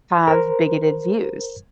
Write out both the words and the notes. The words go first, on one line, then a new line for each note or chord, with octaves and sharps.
have bigoted views,
A#4 C5